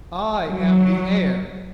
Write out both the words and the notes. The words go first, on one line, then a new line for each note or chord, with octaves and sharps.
"I am the heir."
F#3